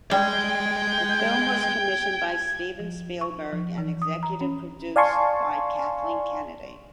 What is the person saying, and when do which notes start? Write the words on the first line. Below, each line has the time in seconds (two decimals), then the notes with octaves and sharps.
The film was commissioned by Steven Spielberg and executive produced by Kathleen Kennedy.
0.11 G3 G#3 G5 G#6
2.80 F3
3.21 C#6
3.52 F3
3.78 E3
4.02 D#6
4.23 A#5
4.41 C#4
4.96 D5 F5 G#5 A5 C6 C#6